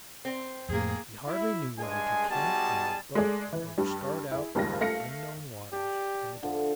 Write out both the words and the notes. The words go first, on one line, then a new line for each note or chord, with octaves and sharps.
We hardly knew whether to camp in our boat or to start out on unknown waters in the dark.
C4
F2 A2 A#3 G#4
E4
G2 G#3 G#4 G#5
B1 G3 F#4 G#4 A5
G#3 A3 G#4 D5
E3
G2 G3
E4 G#4
F#1 D#2 G3 G#3 F4 A#6
A3 F5 A#6 C#7
G4 D5 A5
D3 F3